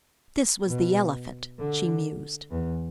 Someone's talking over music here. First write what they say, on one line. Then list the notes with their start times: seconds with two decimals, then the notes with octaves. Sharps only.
"This was the elephant," she mused.
0.66 B2
1.59 D3
2.51 E2